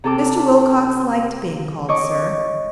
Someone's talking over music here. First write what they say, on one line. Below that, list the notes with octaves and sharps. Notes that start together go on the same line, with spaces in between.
Mr. Wilcox liked being called sir.
C3 A4 D6
C#5 D#5 C#6 D6